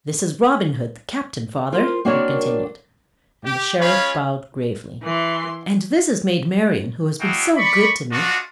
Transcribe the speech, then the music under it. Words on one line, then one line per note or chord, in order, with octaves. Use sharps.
"This is Robin Hood, the captain, father," he continued, and the Sheriff bowed gravely; "and this is Maid Marian, who has been so good to me."
F4 A#4 C5
A#3 C4 D4 F#4 A#4 C#5
G4
G#3 C#4 F4 C#5 F5 B5
E3 C6
D4 E4 F#4 G#4 F5 G5
D5 B5 C#6
G#3 D4 F4 F#4